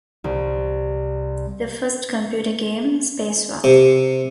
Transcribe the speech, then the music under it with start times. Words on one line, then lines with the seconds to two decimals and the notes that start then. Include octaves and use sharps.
The first computer game, Spacewar!
0.24 C2
3.64 C3